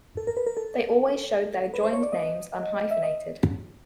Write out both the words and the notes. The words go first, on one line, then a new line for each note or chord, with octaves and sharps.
They always showed their joined names unhyphenated.
A4
A#4
B4
A#4
A4
B4
C5
C#5
D5
D#5
E5
D#5